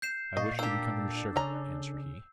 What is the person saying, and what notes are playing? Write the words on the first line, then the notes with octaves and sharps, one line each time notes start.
'I wish to become your servant,' answered he.
G6 C7 E7
A#2 D5 D#5 F5 C#6
A#3 D4 G4 A4 E6
C#3 C#4 A#5